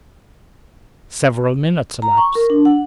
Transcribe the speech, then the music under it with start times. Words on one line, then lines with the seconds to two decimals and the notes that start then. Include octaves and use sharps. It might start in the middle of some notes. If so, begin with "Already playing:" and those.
Several minutes elapsed.
2.02 A#5
2.17 C#6
2.35 A#4
2.50 D4
2.65 F#5